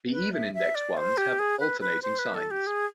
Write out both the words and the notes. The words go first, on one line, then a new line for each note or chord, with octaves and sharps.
The even-indexed ones have alternating signs.
B4
E5
E5
D5
C5
G4
G#4
B4
B4
C5
B4
A4
G4
G#4